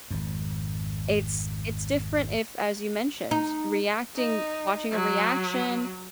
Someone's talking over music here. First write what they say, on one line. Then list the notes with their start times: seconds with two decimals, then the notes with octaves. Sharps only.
It's it's different if, as you mentioned, reacting watching a reaction
0.11 G#1 F2
3.31 D#4
4.16 D#4
4.92 F#3